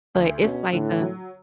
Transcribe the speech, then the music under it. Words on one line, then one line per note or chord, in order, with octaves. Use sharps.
but it's like a
D2
B2 C#4
A2 D3
F#3